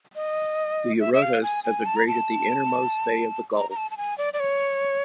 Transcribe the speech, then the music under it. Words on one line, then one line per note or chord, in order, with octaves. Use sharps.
The Eurotas has aggraded the innermost bay of the gulf.
D#5
E5
E5
F5
G#5
G#5
A5
A#5
A5
A#5
A#5
A5
A5
G#5
D5
D5
C#5